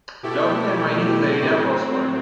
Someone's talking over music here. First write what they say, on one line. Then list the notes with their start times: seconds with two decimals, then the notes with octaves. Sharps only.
Logging and mining in the area prospered.
0.23 B2 A3 E4 G4
1.40 A2 F#3 C4